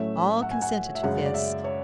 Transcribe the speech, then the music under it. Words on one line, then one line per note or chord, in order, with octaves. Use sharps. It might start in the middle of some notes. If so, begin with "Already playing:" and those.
All consented to this.
Already playing: A2 F#3 A3 C#4 E5
F#5
G#5
F#5
E5
F#2 C#3 G#3 C#4 F#5
D5
E5
C#5